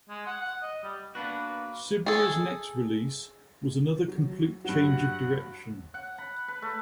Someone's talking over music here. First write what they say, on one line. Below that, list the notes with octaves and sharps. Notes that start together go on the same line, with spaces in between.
Siberry's next release was another complete change of direction.
G#3
F#5
F#5
D#5
G3
A#3 B3 D4 F#4 B4
G#4 A4
F#3
G2 F#3 F#5
F#5
B5
B4
A3